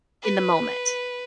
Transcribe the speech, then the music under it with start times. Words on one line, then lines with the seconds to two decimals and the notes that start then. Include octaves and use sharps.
in the moment.
0.22 B4